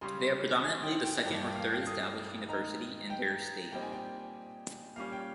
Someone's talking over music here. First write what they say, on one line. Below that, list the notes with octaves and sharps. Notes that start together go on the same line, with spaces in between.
They are predominantly the second or third established university in their state.
C#3 G3 C#4 C6
G#5
G5
G5
G2 F3 A#3 G5
G5
F5
G5
D#6
D#3 G#3 D#4 A#5
G5
A#2 G3 C4 D#4 G5
G#5
G5
A#2 G3 C#4 F5
G5